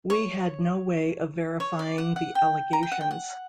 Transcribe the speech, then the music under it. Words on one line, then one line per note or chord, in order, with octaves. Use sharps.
We had no way of verifying the allegations.
C#5
C#5
D5
F#5
F#5
G5
A#5
G5
F#5
G5
F#5